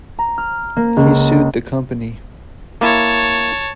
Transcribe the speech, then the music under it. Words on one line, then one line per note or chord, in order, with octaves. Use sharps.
He sued the company.
A#5
F6
A#3
C#2
A#3 E4 C#5 A5